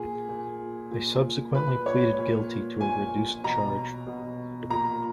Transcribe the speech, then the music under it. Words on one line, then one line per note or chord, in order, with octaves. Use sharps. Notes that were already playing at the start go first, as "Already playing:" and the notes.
They subsequently pleaded guilty to a reduced charge.
Already playing: A#2 G#4
A#2
A#2
A#2 B4
C#5
A#2
A#2 G#5
B2 A#5
B2
A#2 A#5